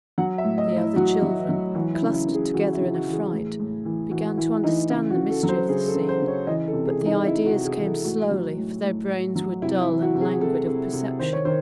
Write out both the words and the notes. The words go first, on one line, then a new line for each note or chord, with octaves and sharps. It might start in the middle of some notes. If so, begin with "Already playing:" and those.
The other children, clustered together in affright, began to understand the mystery of the scene; but the ideas came slowly, for their brains were dull and languid of perception.
F#3 F#5
E5
A2
D#5
A2
E4
F#3 F#4
F#3
F#3
E3 F#4
E4
C#3
E4
C#3
G#4
E3 F#4
E4
C#3
F#4
E3
G#4
A2
A2
E3
E3 F#4
E3 E4
E3 D#4
C#3 E4
F#4
C#3
A4
F#3
C5
C#3 G#4
A4
C#3
C5
C#3
C#5
E3 D#5
A4
C3
G#4
E3
D#4
C3 E4
F#4
C3
G#4
E3
A4
A2 F#4
F#3
A2
A2
A2
F#3
C3 E4
E4
E3
F#4
C3
G#4
C3 A4
C3
C3
D#3 C5
C#5
D#3 C5